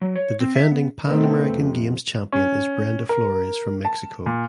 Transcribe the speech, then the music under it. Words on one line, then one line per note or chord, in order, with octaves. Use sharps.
The defending Pan American Games champion is Brenda Flores from Mexico.
F#3
C#5
C4
E5
B3
B2 D#3 A3 B3 C4
F2 C3
C#4
A#4
A5
A#2